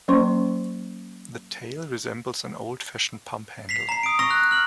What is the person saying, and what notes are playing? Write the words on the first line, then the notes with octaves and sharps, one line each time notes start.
The tail resembles an old fashioned pump handle.
F#3 A#3 C#4 C5 C6 C#6
B6 C7 F7
A#5 C7
D#6 D7
C#6 E6 A#6 F7
F#6
F6 F#7